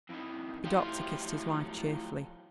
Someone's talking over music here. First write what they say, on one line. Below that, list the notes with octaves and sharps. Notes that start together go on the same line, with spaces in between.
The doctor kissed his wife cheerfully.
F2 D#3 E4
F3 F#3 A3 F4 G4